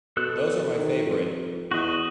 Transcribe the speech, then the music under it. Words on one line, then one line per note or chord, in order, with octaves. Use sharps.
Those are my favorite.
B2 A4 E6 F#6
D#3
F2
E2 F#4 D#5